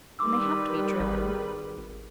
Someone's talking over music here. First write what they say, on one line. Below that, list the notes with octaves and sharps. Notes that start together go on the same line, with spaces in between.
And they have to be driven.
D#3 G3 B4 C6 D6 E6
G#1